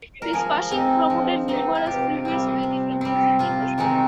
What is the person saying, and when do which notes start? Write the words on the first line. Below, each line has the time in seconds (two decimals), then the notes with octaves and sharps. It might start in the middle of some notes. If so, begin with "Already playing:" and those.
His passing prompted numerous tributes within the music industry.
0.22 A#4
0.33 F3 G#4
0.71 C4 D#4
1.10 F3
1.48 C4 D#4
1.75 F4
1.86 C3 G4
2.25 G3 C4
2.63 C3
3.01 G3 C4
3.39 C3 F4
3.78 D#3 G#3 C4 D#4